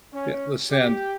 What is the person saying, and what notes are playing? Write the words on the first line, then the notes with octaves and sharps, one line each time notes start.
Yeah, the sand
C#4
G4